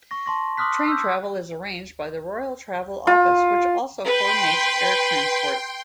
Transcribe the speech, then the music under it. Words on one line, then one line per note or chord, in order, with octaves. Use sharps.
Train travel is arranged by the Royal Travel Office, which also co-ordinates air transport.
C#6 A#6
A5 C6 A#6
C6 D6 D#6 F6 F#6 B6
E6 G6
F4
B4 G5 C6